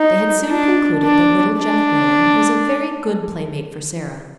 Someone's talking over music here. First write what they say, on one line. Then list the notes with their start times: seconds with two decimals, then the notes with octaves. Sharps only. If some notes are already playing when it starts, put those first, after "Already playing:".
They had soon concluded that little Jeff Miller was a very good playmate for Sara.
Already playing: D#4
0.48 D4
1.03 D4
1.58 D4